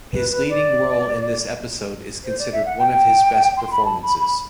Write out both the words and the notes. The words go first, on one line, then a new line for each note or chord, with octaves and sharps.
His leading role in this episode is considered one of his best performances.
B4
B4
D5
C5
D5
E5
F#5
G5
C6
B5
A5
B5
B5